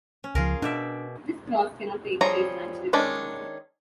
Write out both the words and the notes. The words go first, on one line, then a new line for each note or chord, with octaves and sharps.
This cross cannot take place naturally.
C#4
C#2 F3 F4 G#4 A#4
B2 D4 D5 E5
F3 G3 G#4 C#5 A#5
D#3 G#3 C#4 D4